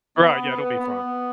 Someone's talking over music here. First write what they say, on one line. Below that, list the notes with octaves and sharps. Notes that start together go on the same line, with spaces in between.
Right, yeah, it'll be fun.
B3
B3
B3